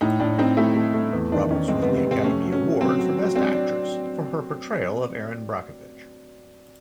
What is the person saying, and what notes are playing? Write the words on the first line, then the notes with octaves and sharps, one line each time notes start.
Roberts won the Academy Award for Best Actress for her portrayal of Erin Brockovich.
A2 D#4
A2 D4
C4 D#4
A3 E4
A3
A3
E2
D#3 D4
D#3 C#4
G#3 C4
B3
C3
B3
C3 C4
A3 C#4
F#3
C#4
F#3
F#3 C4
F#3
F#3
C4 D4
D4